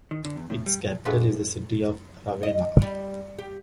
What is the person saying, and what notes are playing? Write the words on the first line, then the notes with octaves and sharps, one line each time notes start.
Its capital is the city of Ravenna.
D#3
D3
E2
A2
G3
A2 F#3 G#3 D4 F4 B4
D#5
G3
G4